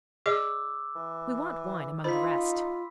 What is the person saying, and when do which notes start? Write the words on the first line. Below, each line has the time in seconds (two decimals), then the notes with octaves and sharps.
We want wine, among the rest.
0.26 G#4 D5 D#5 D6 E6
0.95 E3
2.04 D#4 F4 C5 B5 B6